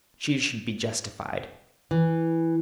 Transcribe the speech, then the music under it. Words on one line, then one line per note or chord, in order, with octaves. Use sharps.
She should be justified.
E3